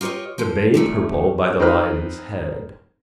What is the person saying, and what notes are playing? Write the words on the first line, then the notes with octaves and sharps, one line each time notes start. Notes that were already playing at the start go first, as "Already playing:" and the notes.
The bay purple by the Lion's head.
F4 G4 A4 C#5 D#5
F3 C5
A#2 F3 A3
C4 D#4 B4 F6